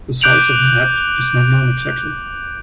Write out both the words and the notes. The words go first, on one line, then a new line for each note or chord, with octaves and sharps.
The size of Mab is not known exactly.
D6 F#6 G6 D7 F7 F#7